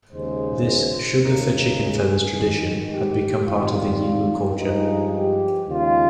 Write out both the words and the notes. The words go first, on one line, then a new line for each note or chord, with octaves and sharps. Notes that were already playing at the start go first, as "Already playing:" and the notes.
This "Sugar-For-Chicken Feathers" tradition had become part of Yiwu culture.
D#2 C#3 G#3 C5
D#2 C#3 G#3 A#4
G#4
G#2 D#3 G#3
G4
F2 D#3 G3 F4
G2 F3 G#3 D#4
G4
D#2 C#3 G#3 F4